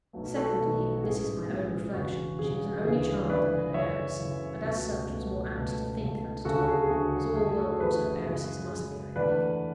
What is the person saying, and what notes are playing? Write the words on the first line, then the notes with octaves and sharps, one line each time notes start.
Secondly,--and this is my own reflection,--she was an only child and an heiress; and as such was more apt to think than to talk, as all well-brought-up heiresses must be. I think.
B1 B2 F#3 A3
F#4 A4
B1 B2 F#3 A3
A1 G#2 E3 G#4
A1 G#2 E3
E1 E2 C#3 F#4
E1 E2 C#3 G#4
D2 C#3 E3 G#3 G#4
D2 C#3 E3 G#3 B4 D5
F#2 C#3 E3 C#5 E5
F#2 C#3 E3
C#2 B2 A3 F#4
C#2 B2 A3
C#2 B2 A3
C#2 B2 A3
D2 C#3 F#3 F#4 A4
F#4
G#4
G#4
D2 C#3 F#3 F#4
F#2 D3 A3 G#4
F#4 A4
F#2 D3 A3 G#4 B4
F#2 C#3 G#3
F#2 C#3 G#3
E2 D3 A3 B4 D5